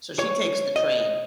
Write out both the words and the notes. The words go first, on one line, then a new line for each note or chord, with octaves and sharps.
so, she takes the train
C#5
D#5